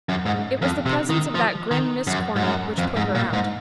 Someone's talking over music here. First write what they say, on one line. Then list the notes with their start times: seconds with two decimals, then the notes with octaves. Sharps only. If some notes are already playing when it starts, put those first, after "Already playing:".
It was the presence of that grim Miss Corny which put her out.
0.09 F#2
0.26 G#2
0.62 F2
0.86 C3
1.10 D#3
1.35 F3
1.71 D#3
2.07 F#2
2.36 G#2
2.43 F#2
2.78 F2
2.96 G#2
3.15 A#2
3.33 G#2